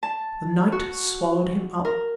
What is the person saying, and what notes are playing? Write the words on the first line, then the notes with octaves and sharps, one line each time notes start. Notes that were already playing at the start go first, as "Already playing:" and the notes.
The night swallowed him up.
A5
F#4
A#4